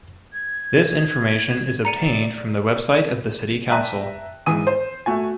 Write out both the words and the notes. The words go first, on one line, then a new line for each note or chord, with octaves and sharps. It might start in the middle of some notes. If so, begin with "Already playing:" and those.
This information is obtained from the website of the city council.
G#6
D5 A#5 C#7 D#7
E5 G5 A5 A#5 F#6 D#7
G#2 E3 G#5 D#6 D#7
C5
A3 F#4 G#5